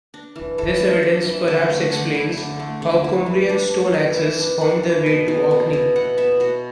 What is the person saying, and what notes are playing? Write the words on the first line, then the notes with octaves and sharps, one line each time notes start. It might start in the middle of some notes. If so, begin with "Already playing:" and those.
This evidence perhaps explains how Cumbrian stone axes found their way to Orkney.
D4
E3
E3 A4
D4 E5
D4
E3 E5
D3 A5
A3
D3 F#5
E4
D3
A3
D3
E4
E3
D4
D4
E3
E3 E5
D4
D4 F#5
E3
B2 A5
B3
B2
E4
B2 F#5
B3 E5
B2 F#4